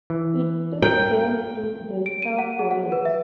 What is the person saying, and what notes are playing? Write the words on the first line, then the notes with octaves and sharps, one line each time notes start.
It is home to Delta College.
E3
A#4 G5
D7
D#7
F#5
G#4
F#5
B4
E5